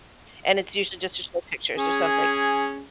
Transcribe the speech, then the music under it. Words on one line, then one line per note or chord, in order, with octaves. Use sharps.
and it's usually just to show pictures or something.
C#4 G#4